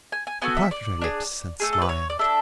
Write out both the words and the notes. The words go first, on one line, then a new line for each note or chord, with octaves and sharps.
She parted her lips and smiled.
G#5
G#5
B3 F#4 A4 G#5
E5
D5
D4 G#4
A3 E4 G#4
A4
B4
C#5
D5
D4 A4 E5